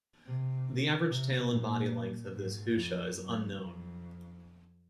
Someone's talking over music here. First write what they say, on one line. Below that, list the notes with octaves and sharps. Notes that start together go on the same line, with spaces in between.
The average tail and body length of this hutia is unknown.
C3
C3
A#2
G#2
F2
F#2
F2